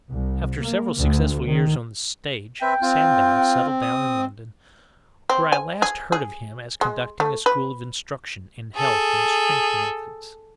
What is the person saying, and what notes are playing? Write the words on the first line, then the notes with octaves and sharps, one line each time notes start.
After several successful years on the stage, Sandow settled down in London, where I last heard of him as conducting a school of instruction in health and strength methods.
C2
A#3
D2
D#3
C4 B4 E5 G5
C4 F4
D#6
C4
G#5
G#4
G#4
G#3
A3
B4
G#4 A4